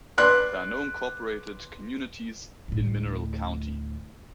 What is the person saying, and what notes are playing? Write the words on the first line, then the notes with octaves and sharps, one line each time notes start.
There are no incorporated communities in Mineral County.
B4 D5 C6 F#6
D2 A2